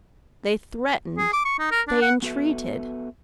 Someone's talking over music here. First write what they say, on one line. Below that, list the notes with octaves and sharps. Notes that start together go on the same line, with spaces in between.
They threatened, they entreated.
G#4
D6
C#6
D#4
A#4
D4
F#5
B3 F#4 A4 B4 E5